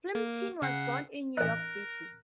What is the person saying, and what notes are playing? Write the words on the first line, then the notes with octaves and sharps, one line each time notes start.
Plimpton was born in New York City.
A#3
C#3 F#5 C7
A1 D#4 A#4 F#6